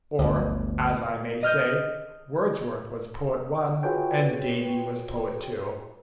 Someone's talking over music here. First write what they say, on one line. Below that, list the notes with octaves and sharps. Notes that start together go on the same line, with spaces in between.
Or, as I may say, Wordsworth was poet one, and Davy was poet two.
G1 D2
D#5 F6 G6 D#7
F4 F#4 G#4 B4 C#5 G5